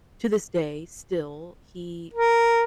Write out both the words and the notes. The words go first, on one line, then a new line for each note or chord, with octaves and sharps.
to this day, still, he
A#4